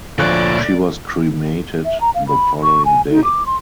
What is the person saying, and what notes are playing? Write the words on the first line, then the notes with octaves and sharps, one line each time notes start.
She was cremated the following day.
D2 A#2 F3 C#5 D5 F#6
E5
A#5
F5
B5
C#6
G#5
D#4
D6
C6